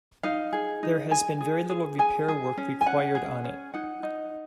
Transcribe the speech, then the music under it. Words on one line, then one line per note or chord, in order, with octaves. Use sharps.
There has been very little repair work required on it.
D#4 F5
G#4
D#4
G#4 G#5
G#4
G#4
G#4 G#5
G#4
C#4
G#5
C#4 F#5
G#4
C#4
D#4 F#5
D#4